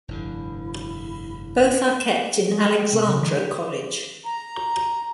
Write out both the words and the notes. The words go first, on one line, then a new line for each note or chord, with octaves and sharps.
Both are kept in Alexandra college.
F1 G2 D3 E4
G#3
A4
G5
C3
C#3
D#3
G4
A#5